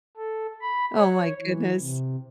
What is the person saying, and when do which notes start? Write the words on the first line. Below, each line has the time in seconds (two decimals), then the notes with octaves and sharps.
Oh, my goodness.
0.17 A4
0.61 B5
0.96 C#5
1.41 E3
1.78 C3